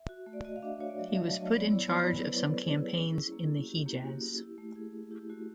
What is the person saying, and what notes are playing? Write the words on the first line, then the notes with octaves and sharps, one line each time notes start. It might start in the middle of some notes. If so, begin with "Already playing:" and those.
He was put in charge of some campaigns in the Hejaz.
Already playing: E5
F#4
A3
D5
F#4 D#5
F5
D4 E5
F#4 C#5
D5
F#3 D#5
E5
F#3 A5
F#3 D#5
C#5
B3 D5
E4 D5
B3 C#5
E4 C5
B3 B4
B3 A4
B3 G#4
E4
C#4
E4
A#3
E4
F#4
C#4 G4
A#3 G4
F#4
A#3 G4
E4
E4
A3
E4 G#4
E4
E4 G4
A3 F#4